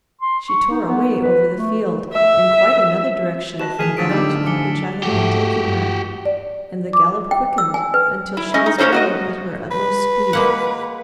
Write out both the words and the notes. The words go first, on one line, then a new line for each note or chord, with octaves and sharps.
She tore away over the field in quite another direction from that in which I had been taking her, and the gallop quickened until she was going at her utmost speed.
C6
C#6
D#4
B3
B4
A3
E5
F#4 B4 D#5 A5 E7
A2 D#3 G#4 F6 B6 F7
F#2 A2 D3 F#3 D#6 A6 B6 D7
G3 D#4 D6 E6 A6
F3 G#5 D6 C#7 G7
G#2 A3 F#4 G4
G2
D5
D6
G5
E6
G#5
B4
E4
A3 C#4 D#5
D#4
A#3 C#4 E4 C5 C#5
F#4 D5 D#5
B4
G#3 A#3 F#5